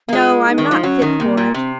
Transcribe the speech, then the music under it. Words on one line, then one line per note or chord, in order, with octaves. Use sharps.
No; I'm not fit for it.
A#3
G#3 F4
D#4
D#3
F3
F#3 C#4
D#3
C3 A#3
A#2
C3 C4